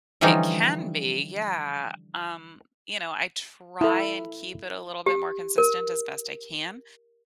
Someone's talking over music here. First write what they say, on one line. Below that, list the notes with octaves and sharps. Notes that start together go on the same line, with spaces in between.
It can be. Yeah. Um, you know, I try and keep it a little bit more consistent as best I can,
D3 E3 F3 G3 C#4 D#4
E4 A4
G4
A#4